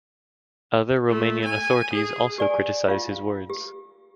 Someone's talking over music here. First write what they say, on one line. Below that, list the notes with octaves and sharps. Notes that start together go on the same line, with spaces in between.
Other Romanian authorities also criticized his words.
A3
G#5
G#4
G4 D5 G#5
F4 G4 F5
G4